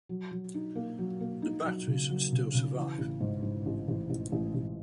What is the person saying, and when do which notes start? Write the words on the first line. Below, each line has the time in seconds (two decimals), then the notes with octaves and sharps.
The batteries still survive.
0.09 F#3
0.31 F#3
0.54 D#4
0.75 A#3
0.99 F#3
1.21 A#3
1.42 D#4
1.65 F#3
1.87 C#3
2.10 F#3
2.32 C#3
2.55 C#3
2.76 E3
2.99 A1
3.21 G#2
3.43 G#2
3.66 A1
3.88 A1
4.10 A1
4.32 A1
4.54 A1